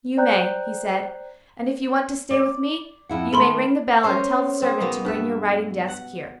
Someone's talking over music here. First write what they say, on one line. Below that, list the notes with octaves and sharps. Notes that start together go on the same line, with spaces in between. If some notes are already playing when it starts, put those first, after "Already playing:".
"You may," he said, "and if you want to stay with me, you may ring the bell and tell the servant to bring your writing desk here."
C5 D5 G5 A#5 F#6 G6
D5
F2 E4 F#5
D#3 A3 A4 B5 C6
C#4 A#4 C5 C#5
C4 G#4
B2 A#3 B3 D#4
G2 B4 E5
F#5